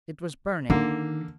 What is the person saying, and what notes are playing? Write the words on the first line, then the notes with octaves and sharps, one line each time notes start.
It was burning.
D3 D#3 A#3